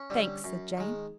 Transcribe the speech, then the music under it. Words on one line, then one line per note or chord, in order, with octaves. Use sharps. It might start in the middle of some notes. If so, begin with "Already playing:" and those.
"Thanks," said Jane.
Already playing: C#4
D3 G3
F#2
D#3 G#3